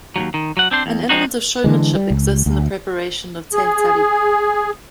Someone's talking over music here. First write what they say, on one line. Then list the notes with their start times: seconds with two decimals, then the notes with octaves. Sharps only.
An element of showmanship exists in the preparation of "teh tarik".
0.16 D#2 G#2 F#3
0.34 D#3
0.57 F#3 F#5
0.71 C4 D4 C5
0.86 E2
1.09 F3 G#3 C4 D#4 F#4
1.64 D3 E3 G#3
1.95 G3
2.10 C#2
2.46 D2
3.53 G#4